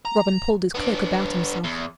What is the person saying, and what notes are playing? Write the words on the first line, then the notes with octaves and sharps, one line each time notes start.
Robin pulled his cloak about himself.
A#5
B3 D4
E2